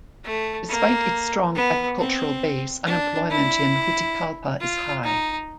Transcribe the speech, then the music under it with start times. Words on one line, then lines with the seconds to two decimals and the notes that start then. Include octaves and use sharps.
Despite its strong agricultural base, unemployment in Juticalpa is high.
0.25 A3
0.69 A#3
1.55 B3
1.99 C4
2.86 D4
3.30 E4
4.60 F4
5.04 D#4